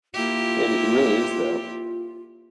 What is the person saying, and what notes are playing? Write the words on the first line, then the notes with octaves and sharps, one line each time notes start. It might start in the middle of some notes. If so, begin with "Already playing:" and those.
It it really is though,
A#3 E4 F4 G4